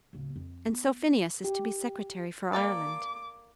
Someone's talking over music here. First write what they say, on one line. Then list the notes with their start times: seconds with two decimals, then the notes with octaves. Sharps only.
And so Phineas is to be Secretary for Ireland!
0.13 D1 C#3
0.36 F2
0.68 B3
1.44 G4
2.53 A#3 A4 D5 D6